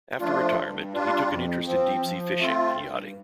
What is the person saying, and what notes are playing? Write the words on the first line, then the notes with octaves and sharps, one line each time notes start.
After retirement he took an interest in deep-sea fishing and yachting.
F3 A3 D4 F4
G2
G3 D4 F4
F2
F3 C4
F3
A3 C4 F4
G2